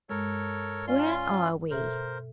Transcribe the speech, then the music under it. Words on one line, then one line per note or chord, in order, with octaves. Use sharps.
'Where are we?
G2 G#3 A4 A#4 C#5
C#4 F4 D5 C6
B2 A4 A#4 C5 E5